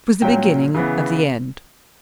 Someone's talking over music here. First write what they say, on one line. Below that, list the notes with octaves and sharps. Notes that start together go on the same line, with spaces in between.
It was the beginning of the end.
A#2 F#3 C#4 G5
C#3 E3 B3